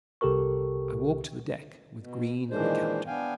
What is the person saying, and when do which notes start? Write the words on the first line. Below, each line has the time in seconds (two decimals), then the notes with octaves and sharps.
I walked the deck with Green and the captain.
0.21 C2 C3 G4 A4 A#4 C#6
1.99 B2
2.51 A#2 D#3 E3 G#3 D4 C5
3.07 B3 D4 F5 G5 G#5